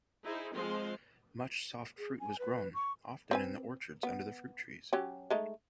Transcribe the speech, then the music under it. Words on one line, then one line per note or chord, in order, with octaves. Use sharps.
Much soft fruit was grown, often in the orchards under the fruit trees.
D#4 E4 G#4 C5
F3 G#3 C4 C5 F5
G#4
G#5
B4
C#6
C4 B4 G#5
B3
F#3 C#4 G4
G#3 A3 D#4